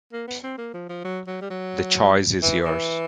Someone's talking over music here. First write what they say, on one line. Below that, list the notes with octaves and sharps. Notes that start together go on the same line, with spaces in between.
The choice is yours.
A#3
B3
C4
A#3
F3
F3
F#3
F#3
G3
F#3
E3
E3